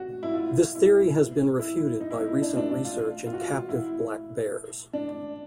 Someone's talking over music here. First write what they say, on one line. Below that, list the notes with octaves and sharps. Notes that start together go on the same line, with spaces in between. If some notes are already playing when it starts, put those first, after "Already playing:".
This theory has been refuted by recent research in captive black bears.
Already playing: F#4
E4
F4
E4
E4
D#4
E4
D#4
D4
D4
D4
F4
F4
F#4
F4
E4
D4